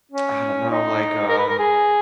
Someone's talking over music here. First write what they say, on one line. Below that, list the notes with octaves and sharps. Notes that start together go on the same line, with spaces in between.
I don't know, like, uh
C#4
D#4
A#4
B4
A#4
G#4